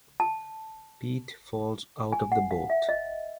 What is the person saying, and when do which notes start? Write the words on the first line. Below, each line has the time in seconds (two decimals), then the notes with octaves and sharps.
Pete falls out of the boat.
0.20 A5
2.12 G#5
2.32 F#5
2.51 F5
2.70 E5
2.89 D#5